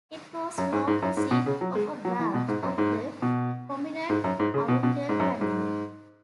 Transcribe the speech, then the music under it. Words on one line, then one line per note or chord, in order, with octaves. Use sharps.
It was long a seat of a branch of the prominent Arundell family.
F#2
G#2
G#2
F#2
G#2
B2
C#3
F#3
G#3
F#3
E3
B2
G#2
F#2
G#2
B2
G#2
F#2
G#2
C#3
B2
B2
G#2
F#2
G#2